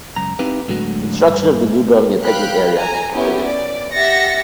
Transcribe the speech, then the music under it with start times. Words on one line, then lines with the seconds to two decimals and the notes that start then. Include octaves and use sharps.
Construction of the new building and picnic area have been completed.
0.16 C#2 F#2 A#5
0.39 C4 D#4 E4 G4 B4 F5
0.68 A2 D3 F#3 G#3 F#4
1.25 G2
2.23 F5 G5 B5 F#6
2.75 G#5 A#5
3.13 B3 C#4 E4 G4
3.46 D5
3.92 G4 E5 F#5 A6 A#6 C#7